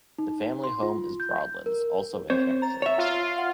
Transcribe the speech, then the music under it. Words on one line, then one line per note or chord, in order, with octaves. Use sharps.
The family home is Broadlands, also in Hampshire.
D#4
C6
F4
G6
A#4
C4 C5 C#5
A#5 A6
C#5 E5
F4
F5 F#5 C6